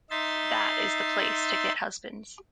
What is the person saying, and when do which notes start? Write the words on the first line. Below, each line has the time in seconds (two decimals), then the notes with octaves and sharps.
That is the place to get husbands.
0.10 D#4 E5 C6 A6